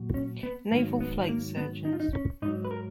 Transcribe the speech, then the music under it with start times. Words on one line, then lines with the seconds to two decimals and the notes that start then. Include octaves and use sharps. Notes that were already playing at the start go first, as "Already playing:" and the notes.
Naval Flight Surgeons.
Already playing: A#2 F#3
0.14 C#4
0.43 B3
0.71 G#2 D#3 F#3 A#3
1.01 B3
1.29 A#3
1.57 B3
1.85 D#4
1.93 F4
2.00 D#4
2.13 C#4
2.42 G#2 F#3 D#4
2.65 B4
2.71 A#4